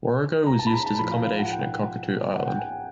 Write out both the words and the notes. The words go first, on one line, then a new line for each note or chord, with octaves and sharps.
"Warrego" was used as accommodation at Cockatoo Island.
A#5
A5
B5
A#5
A5
A2 F3 B5
F5
F5
F#5
G5
F#5
G5
G#5